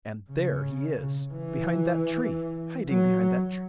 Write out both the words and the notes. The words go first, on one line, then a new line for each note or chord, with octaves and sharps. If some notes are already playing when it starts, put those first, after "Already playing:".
AND THERE HE IS--behind that tree!--hiding behind that tree!
C#3
E3
F#3